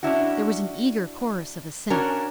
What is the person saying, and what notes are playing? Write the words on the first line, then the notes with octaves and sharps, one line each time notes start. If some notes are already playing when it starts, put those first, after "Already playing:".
There was an eager chorus of assent.
C#4 D4 E4 F#4
C#4 D4 F#4 A#4 C#5 D5